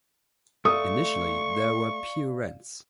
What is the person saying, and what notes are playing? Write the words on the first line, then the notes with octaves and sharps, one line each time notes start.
Initially there were pew rents.
A3 D5 F5 C#6 D#6